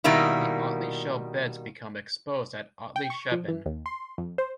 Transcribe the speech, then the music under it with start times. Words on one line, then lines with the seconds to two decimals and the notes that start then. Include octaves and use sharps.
The Otley Shell Beds become exposed at Otley Chevin.
0.04 B2 D#3 G3 A#3 E4
2.96 G5
3.10 C#6
3.32 F3
3.48 E3
3.66 D#2
3.86 C6
4.18 F2
4.38 C5